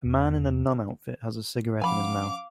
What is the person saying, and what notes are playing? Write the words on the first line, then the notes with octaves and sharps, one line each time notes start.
A man in a nun outfit has a cigarette in his mouth.
E2
F3 C#4 F5 F#5 G#5 B5 D6